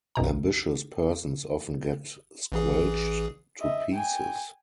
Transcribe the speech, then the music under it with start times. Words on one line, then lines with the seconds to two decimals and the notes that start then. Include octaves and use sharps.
Ambitious persons often get squelched to pieces.
0.15 B1 F#2 B2 A#5
2.52 A1 E3 G#4
3.60 D#5 E5
3.93 G5 G#5